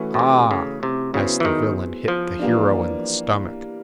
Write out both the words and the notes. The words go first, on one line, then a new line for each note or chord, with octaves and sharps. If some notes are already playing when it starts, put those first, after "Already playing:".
"Ahhhhh," as the villain hit the hero in the stomach....
Already playing: E3 A3 C#4 F#4
B2
C3
C#3
C3
C#3 F#3 B3 E4 G#4 C5
E3
D#3
F3
E3 G3 A#3 D4